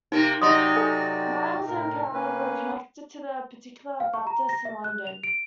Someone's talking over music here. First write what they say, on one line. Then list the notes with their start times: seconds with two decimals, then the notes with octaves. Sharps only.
Myles and Proud were connected to the Particular Baptists in London.
0.12 C3 A#3 D#4
0.41 C3 F#3 D#4 F#4 D5 C6 D#6
0.76 A4 G#5
1.68 A2 A#4
2.13 A#3 C#4 B4
4.00 F5
4.14 C#6
4.27 A#5
4.49 A#6
4.65 E5
4.84 F#6
5.07 F7
5.24 D7